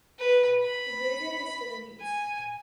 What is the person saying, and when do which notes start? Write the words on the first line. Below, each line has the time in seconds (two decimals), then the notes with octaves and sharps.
The graveyard is still in use.
0.19 B4
0.63 B5
2.00 G#5